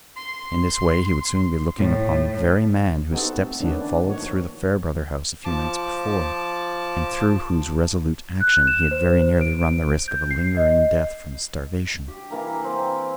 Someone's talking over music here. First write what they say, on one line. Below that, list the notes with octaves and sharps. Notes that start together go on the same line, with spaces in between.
In this way he would soon be looking upon the very man whose steps he had followed through the Fairbrother house a few nights before, and through whose resolute action he had very nearly run the risk of a lingering death from starvation.
C6
A2
B3 C4 D#4 F#4 G4 A4
A3
D#3 A3 B3 C#4 D4
D4
D#3 F3 A#3 F#4 C#5
F3 A5 D6
F#6
E7
C5
D7
G6
C7
D#5
G4
E3 A#3 A#5
C4